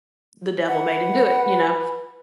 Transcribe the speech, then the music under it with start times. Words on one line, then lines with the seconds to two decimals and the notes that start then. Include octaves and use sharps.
the devil made him do it, you know?
0.68 B4 F#5